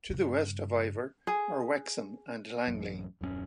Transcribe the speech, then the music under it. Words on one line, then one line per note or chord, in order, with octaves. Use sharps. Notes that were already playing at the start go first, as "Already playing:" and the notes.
To the west of Iver are Wexham and Langley.
G2 C#3
G#4
A1 F#2
D#1 F#2 A3 C#4